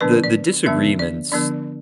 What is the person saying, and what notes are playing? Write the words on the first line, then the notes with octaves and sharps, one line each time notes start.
the the disagreements,
D3 F3 B3 D4 B4
D5
D3 F3 B3 D4 E5
D5
D3 F3 B3 D4 D5